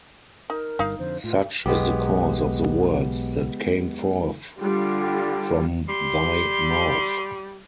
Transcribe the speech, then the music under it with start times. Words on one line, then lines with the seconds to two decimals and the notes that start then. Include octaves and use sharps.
Such is the course of the words that came forth from thy mouth.
0.50 D#4 A#4
0.79 G1 G2 D#4 F5
0.99 F2 D3 C5
1.24 A2 F4
1.66 B1 G#3 B3 G4
4.59 D3 G3 F4 G4
5.89 G3 C6